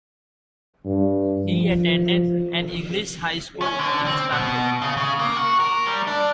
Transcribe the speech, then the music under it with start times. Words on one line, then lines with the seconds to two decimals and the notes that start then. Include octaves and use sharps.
He attended an English High School in Istanbul.
0.85 G2
1.46 F3
3.62 C#4
3.79 D3
4.06 C4
4.32 B2
4.82 C#3
4.97 C#3
5.19 A#3
5.37 F#4
5.60 A#4
5.86 G3
6.07 D4